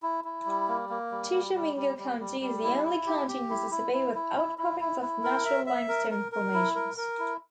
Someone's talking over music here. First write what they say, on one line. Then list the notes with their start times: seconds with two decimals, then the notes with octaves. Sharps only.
Tishomingo County is the only county in Mississippi with outcroppings of natural limestone formations.
0.03 E4
0.24 E4
0.46 G3
0.68 A#3
0.89 A#3
1.11 G3
1.33 G3
1.55 G3
1.76 G3
1.98 G3
2.19 G3
2.41 G3
2.63 E4
2.84 E4
3.06 G4
3.28 G4
3.50 E4
3.71 E4
3.93 E4
4.15 E4
4.37 E4
4.58 E4
4.81 E4
5.01 E4
5.24 A#4
5.45 E5
5.66 E5
5.88 A#4
6.11 A#4
6.32 A#4
6.54 E4
6.75 A#4
6.97 A#4
7.19 E4